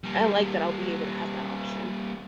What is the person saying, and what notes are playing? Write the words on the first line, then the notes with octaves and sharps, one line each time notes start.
I like that I'll be able to have that option.
G3 A#3